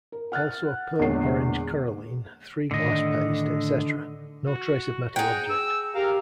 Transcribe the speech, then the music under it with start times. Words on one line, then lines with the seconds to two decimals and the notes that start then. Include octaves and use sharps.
Also a pearl orange coralline, three glass paste, etc.. No trace of metal object.
0.12 A#4
0.32 F#5 F6 F#6 A6
0.99 E2 A#2 D3 G#3 C#5 C7
2.71 A2 D3 D#3 D#5
4.46 F#4
5.16 G#4 F#5 G5 A#5
5.49 E6
5.95 G4 A#4 F5 A#5